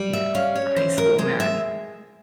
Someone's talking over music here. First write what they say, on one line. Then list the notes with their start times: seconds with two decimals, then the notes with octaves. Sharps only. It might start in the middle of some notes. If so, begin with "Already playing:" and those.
Yeah, high school, man,
Already playing: G3
0.13 E5
0.35 C#4 F5
0.55 C#5
0.76 E3 C5
0.98 A#4
1.18 G#3 C5
1.40 E5